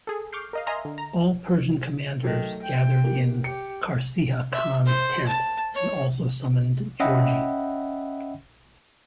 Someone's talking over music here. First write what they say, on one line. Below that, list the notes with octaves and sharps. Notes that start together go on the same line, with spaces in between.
All Persian commanders gathered in Qarciha-Khan's tent and also summoned Giorgi.
G#4 A4
C#6 D6 F6 G6 C7
A#4 D#5 F5
D#5 E5 G#5 A#5 C6 F6
D3
A#5
D#3 F#3 A3
G5
A#3 G4
G4 C#7
E5
C5
A5
C#5
C#4 D#5 E5 F#5 G5 B5